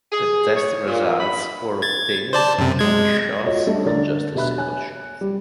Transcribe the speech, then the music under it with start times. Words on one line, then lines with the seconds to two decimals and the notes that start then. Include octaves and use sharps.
The test results were obtained from many shots not just a single shot.
0.12 G#4
0.56 C#5
0.87 A#2
1.20 B5
1.82 G#6 A6
2.33 C5 D5 A5
2.58 F#2 C3
2.79 G#3 G#6
3.46 F4 F#4 A4 C#5 D#5
3.67 G3 A3 D4
3.86 D3 A4 A#4 D5 A6
4.35 B2 G4 E5 B5 F#6
4.58 C#5 G#5 F#6
5.21 G3 G4